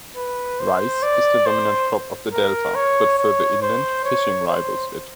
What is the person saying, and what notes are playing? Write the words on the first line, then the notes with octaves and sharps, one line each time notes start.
Rice is the dominant crop of the delta, but further inland fishing rivals it.
B4
C5
D5
C5
A#4
C#5
C#5
C5
C#5
C5